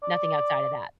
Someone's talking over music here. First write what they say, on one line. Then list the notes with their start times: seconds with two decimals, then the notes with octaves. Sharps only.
nothing outside of that.
0.03 D5